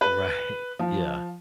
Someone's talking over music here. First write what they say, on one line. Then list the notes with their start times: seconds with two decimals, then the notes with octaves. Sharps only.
Right. Yeah.
0.01 B4
0.79 F3